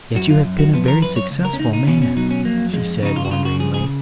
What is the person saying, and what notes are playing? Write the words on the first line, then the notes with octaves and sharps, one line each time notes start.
"Yet you have been a very successful man," she said wonderingly.
F#2 F#4
F4
F#2
F#4
F3 B3
A#4
F#2 B4
C#5
C#2
A#4
C#4
C#2 D#4
D#4
B2 C#4
C#4
F#3 D#4
C#4
F2 A#3
F2 G#3
C#3 D#4
F4
F#4
C#3 F4
F#4
F3 G#4
G#4